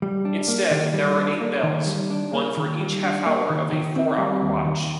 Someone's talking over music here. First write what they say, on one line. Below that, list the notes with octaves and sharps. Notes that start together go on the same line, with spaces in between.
Instead, there are eight bells, one for each half-hour of a four-hour watch.
G3
D4
A#3
D#3
G3
D4
A#3
D#3
G3
D4
A#3
D#3
G3
D4
A#3
D#3
D#3
C4
G3
D#2
D#3